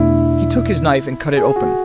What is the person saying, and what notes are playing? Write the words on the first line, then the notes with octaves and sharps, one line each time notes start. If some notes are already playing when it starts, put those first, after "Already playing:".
He took his knife and cut it open.
Already playing: E2 B2 A3 D4 E4
G#4
F#4